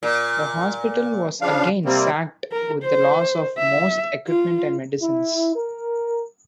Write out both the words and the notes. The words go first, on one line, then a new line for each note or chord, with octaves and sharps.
The hospital was again sacked with the loss of most equipment and medicines.
A#2
C#3 F3 D4 F5
C3 G3 A#3 C4
A#4
C5
E5
F4
E4
A#4